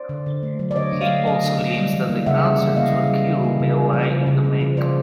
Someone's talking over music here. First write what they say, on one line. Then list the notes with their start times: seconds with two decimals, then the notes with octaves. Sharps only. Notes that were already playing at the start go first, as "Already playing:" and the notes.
He also believes that the answer to a cure may lie in the Menk.
Already playing: C5 D5
0.09 D3
0.26 D3
0.43 A3
0.59 F#3
0.71 D5
0.76 D3 C#5 D#5
0.93 D3
1.01 D#5 F5
1.09 A3
1.26 F#3 D#5 F5
1.43 D3
1.60 D3
1.76 G3
1.94 E3
2.10 A#3
2.26 C#3 E5 F#5
2.43 G3
2.60 E3
2.76 A#3 D#5 F5
2.94 C#3
3.10 G3
3.26 E3
3.44 A#3
3.60 C#3
3.77 G#3
3.93 F3
4.10 C#3
4.26 C#3
4.44 G#3
4.61 F3
4.77 C#3 C5 D5